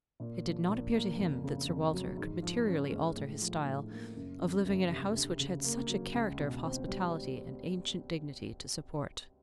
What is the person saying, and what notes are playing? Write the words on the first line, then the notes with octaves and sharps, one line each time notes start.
It did not appear to him that Sir Walter could materially alter his style of living in a house which had such a character of hospitality and ancient dignity to support.
A#2
F3
A#2
A#3
F2
C#3
F2
F#3
G#2
F3
C#4
G#3
A2
F3
A2
A#3
F#1
F2
F#1
C3
D2
C#3
A#3
F#3
C#2
B2
C4
G3